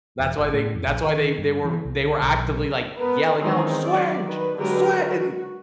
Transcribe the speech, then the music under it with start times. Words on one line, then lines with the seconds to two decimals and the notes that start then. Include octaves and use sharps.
That's why they that's why they they were they were actively like yelling out, "Switch, swi" and
0.19 E1
0.38 G1
0.53 A2
0.75 F2
0.88 A#1
1.06 D#3
1.38 G2
1.65 E3
1.85 C2
2.05 D3
2.22 B1
2.96 B3 A#4 B4
3.38 D#3 E3 G#3 C4 C#4 D#4
3.83 F#3 D5
4.26 D#3 B4
4.57 D3 F#3 G#3 G4 A#4 B4
5.04 F#4